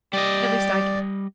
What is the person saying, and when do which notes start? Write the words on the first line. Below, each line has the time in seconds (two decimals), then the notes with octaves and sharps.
At least I can.
0.13 G3 G4 D5 D#5